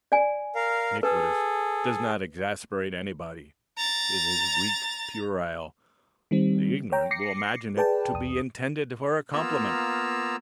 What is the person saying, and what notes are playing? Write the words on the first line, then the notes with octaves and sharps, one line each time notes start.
'Iniquitous' does not exasperate anybody; it is weak--puerile. The ignorant will imagine it to be intended for a compliment.
D5 G#5
A#4 F5
G#4 A4 B4
A#5 A6
D#3 G3 C4
C#5 G5 A#5
D6 A#6 C7 C#7
G#4 B4 D5 G5 A5
B1 E2 D#6
A#3 B3 F4 A#5 E6